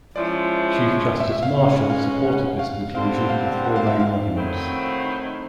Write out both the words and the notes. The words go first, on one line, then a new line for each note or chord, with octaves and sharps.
Chief Justice Marshall supported this conclusion with four main arguments.
F3 G#3 C#4 E4 D5
E5
E5
F5
B2 G#3 C#4
F5
F#5
F5
G2 D3 G3 C4 F5
F5
F5
F#5
F5
E5
F5
D#3 F#3 A3 C4 E4